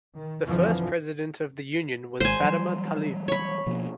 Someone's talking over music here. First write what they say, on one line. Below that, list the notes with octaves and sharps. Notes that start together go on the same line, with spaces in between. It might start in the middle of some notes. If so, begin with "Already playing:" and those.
The first president of the Union was Fatima Talib.
D#3
F2 D3 E3 F3
G#1 G#3 C5 G#5
E3 F#3 G3
C#5 B5
B2 F3 A#3